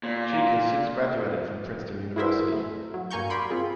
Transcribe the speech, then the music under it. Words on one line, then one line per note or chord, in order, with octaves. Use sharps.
Cheek has since graduated from Princeton University.
A#2
E4 F#4 G#4 A#4 C5 E5
A3
F#3
G2 A#3 G#5 A#5 C#6 G6
A#4 D5 B5 C6
C4 F4 G#4